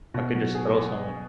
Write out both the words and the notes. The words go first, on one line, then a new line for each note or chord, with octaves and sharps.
Hulk could just throw someone.
B2
F#3
G#4